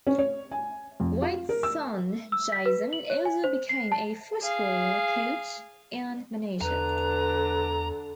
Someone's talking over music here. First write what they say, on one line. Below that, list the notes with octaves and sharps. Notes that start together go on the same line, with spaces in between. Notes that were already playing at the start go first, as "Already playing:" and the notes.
Withe's son, Jason, also became a footballer, coach and manager.
C#4
C#5
G#5
F2
F4
A#4
E6
E6
B6
B4
F#7
C#5
G#5
C5
C7
A5
G#4 F5
E2 D3 B4 A#5